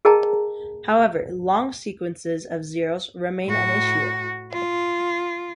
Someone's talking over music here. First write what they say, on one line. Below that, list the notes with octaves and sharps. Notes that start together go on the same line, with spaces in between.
However, long sequences of zeroes remain an issue.
G#4 A#4 D#5 G5 A5 A#5
A2 F#4
F4